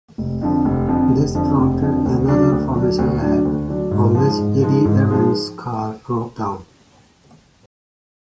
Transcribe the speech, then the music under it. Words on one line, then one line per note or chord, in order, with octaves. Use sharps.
This prompted another formation lap, on which Eddie Irvine's car broke down.
F1
F2 D3 F3
F1
F2 D3 F3
F1
F2 D3 F3
F1
F2 D3 F3
D2
D3 F#3 D4
D2
D3 F#3 D4
D2
D3 F#3 D4
D2
D3 F#3 D4
G#2
F3 G#3 D#4
G#2
F3 G#3 D#4
G#2
F3 G#3 D#4